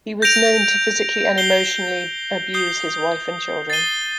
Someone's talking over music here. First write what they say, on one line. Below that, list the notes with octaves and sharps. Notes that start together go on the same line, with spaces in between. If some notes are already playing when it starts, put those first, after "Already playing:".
He was known to physically and emotionally abuse his wife and children.
G6 A#6 D7 F7
G6 C7 G7
D#6 G6 C7 G7
A6 C7 D#7 G7